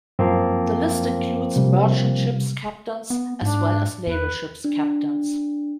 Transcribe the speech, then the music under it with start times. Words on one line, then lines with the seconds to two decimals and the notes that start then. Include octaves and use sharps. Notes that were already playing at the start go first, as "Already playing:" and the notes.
The list includes merchant ship's captains as well as naval ship's captains.
0.19 F#2 F3 A#3 C4
1.56 C3 G3
3.10 B3
3.42 G#2 D4
4.07 E2 B4
4.64 D4